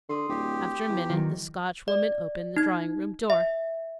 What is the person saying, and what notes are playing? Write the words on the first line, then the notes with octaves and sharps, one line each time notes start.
After a minute the Scotchwoman opened the drawing-room door.
D3 C6 D#6
D1 G4
E2
D#3 F#3
D5
D#4 G#6
E5